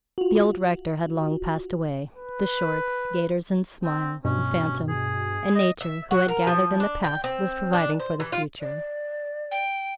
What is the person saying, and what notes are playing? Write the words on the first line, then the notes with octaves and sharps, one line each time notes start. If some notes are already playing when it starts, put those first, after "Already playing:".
The old rector had long passed away; the shorts, gaiters, and smile--a phantom; and nature, who had gathered in the past, was providing for the future.
F4 F#4
B4
C4
G2 B2 C#4
G#4
D#5
E5
F#4
A#4
F3
D4
G5
C4
D4
C5
E3
F4
D5
G5